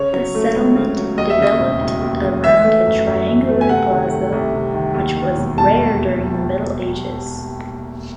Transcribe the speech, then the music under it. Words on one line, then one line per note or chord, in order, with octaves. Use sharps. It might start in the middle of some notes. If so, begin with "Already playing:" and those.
The settlement developed around a triangular plaza, which was rare during the Middle Ages.
Already playing: C#3 C#5
F#3
A3
C#2
C#3
F#3
D#2 D#5
E5
C#3 D#5
E1
E1
D#2
C#3
E3 E5
A3
F#2
F#2
E3
A3
G#5
C3 F#5
D#3
A3
C2
C3
D#3
D#2
D#3
E1
E1 A5
D#2